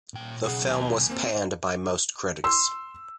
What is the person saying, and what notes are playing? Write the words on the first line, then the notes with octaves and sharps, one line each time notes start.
The film was panned by most critics.
A#2 G5
B1 C#3 G#4 F#5
D#2 G#5
A#3 C4
C6 E6